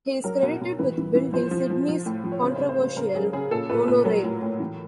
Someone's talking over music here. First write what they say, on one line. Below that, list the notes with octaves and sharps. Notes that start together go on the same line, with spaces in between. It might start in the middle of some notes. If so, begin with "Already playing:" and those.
He is credited with building Sydney's controversial monorail.
F#3 A#4
B2
B2
E3 B4
E3
E3
F3 C5
F3
F3
F3
A2
F3
C#5
C#3 C5
C5
C#3
C5
C#3 B4
C#3 A#4
F#3 G#4
C#3 G#4
A#2 A4
A#2 B4
A#2 B4
F#3 A#4
A2
A2
E3